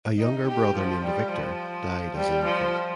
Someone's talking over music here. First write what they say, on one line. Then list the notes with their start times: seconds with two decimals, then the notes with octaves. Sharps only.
A younger brother named Victor died as an infant.
0.19 D#4
0.47 G4
0.75 F3
1.03 G3
1.31 F3
2.16 G3
2.44 F3